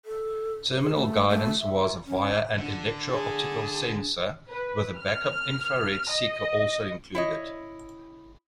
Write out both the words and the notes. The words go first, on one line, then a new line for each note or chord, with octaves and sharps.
Terminal guidance was via an electro-optical sensor, with a backup infrared seeker also included.
A4
G#4
A3
A3
E5
C#4
D3
G#4 A5
B4
F6
D#5
E4 C#5 D#5